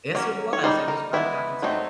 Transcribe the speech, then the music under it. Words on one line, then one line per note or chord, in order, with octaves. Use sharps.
Yes, it was, it was fun talking to you.
F#3 A#3 C#4
C#5
G3 A#3 D#4 C5
A#4
E3 G#3 B3 E4
F#3 A3 C4 D#4